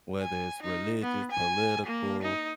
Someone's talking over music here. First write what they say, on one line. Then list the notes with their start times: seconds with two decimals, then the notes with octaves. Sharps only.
whether it's religious, political,
0.22 G#5
0.62 D#4
1.02 B3
1.32 G#5
1.86 A#3
2.23 D#4